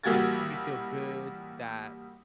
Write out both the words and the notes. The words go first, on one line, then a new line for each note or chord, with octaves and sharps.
it just made me feel good that
A1 G3 A#3 F#4 G#6 A6